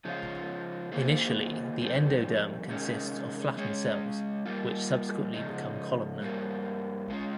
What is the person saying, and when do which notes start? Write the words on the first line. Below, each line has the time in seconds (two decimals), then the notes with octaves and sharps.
Initially, the endoderm consists of flattened cells, which subsequently become columnar.
0.05 C#3 F3 G#3 C#4 F4
0.92 D#3 A#3 F4 G#4 C5
1.81 F2 D#3 G3 C4
2.69 C3 D#3 G#3 C#4
3.57 G#3 C#4 G#4 C#5
4.46 G3 A#3 F4
5.34 C#3 F3 G#3 D#4
6.22 G2 G3 A#3
7.10 G#3 C#4 F4